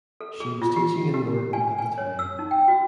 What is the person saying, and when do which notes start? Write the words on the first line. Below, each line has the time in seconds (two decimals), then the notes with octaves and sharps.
She was teaching in Norton at the time.
0.21 A4
0.40 G#4
0.62 F4
0.76 G4
1.14 G4
1.53 G#5
1.78 G#5
1.98 C#5
2.19 E6
2.39 D#4
2.51 G5
2.68 F#4